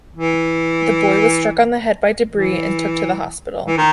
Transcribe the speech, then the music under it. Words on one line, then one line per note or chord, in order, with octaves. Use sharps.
The boy was struck on the head by debris and took to the hospital.
E3
E3
E3
D#3